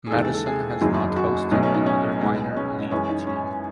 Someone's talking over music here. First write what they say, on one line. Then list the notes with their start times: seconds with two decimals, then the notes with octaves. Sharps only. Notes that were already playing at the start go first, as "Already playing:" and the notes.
Madison has not hosted another minor league team.
0.07 G#4
0.11 D#2 C#3 E3 G#3 A4
0.22 A4
0.34 A4
0.46 G#4
0.81 F#1 E2 D#3 F#3
1.16 F#4
1.51 B1 B2 F#3 A3 C#4
1.63 C#4
1.74 D#4
1.86 C#4
2.21 C#2 B2 G#3 D#4
2.56 C#4
2.91 F#2 E3 G#3 C#4
3.09 D#4
3.27 C#4